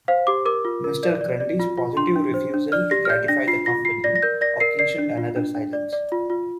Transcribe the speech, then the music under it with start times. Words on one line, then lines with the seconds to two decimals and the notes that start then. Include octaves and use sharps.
Mr. Grundy’s positive refusal to gratify the company occasioned another silence.
0.08 C5 F5
0.27 G4 D6
0.45 A#4 D6
0.65 F4
0.84 A#4
1.03 D5
1.21 D5
1.40 D5
1.60 F4
1.78 F4
1.97 D4 C6
2.16 D4
2.34 C5
2.54 D4
2.72 D5 F6
2.91 G4 A#6
3.05 F6
3.09 D5 G6
3.28 D4 A#6
3.47 F4 C7
3.66 F4 A#6
3.85 F4 C7
4.04 D5 A#6
4.16 A#6
4.23 A#4 G6
4.41 D5 A#6
4.60 A#4 C7
4.79 D5 C7
4.98 D4
5.17 F4
5.36 D4
5.55 D4
5.73 D5
5.93 D5
6.12 F4
6.30 F4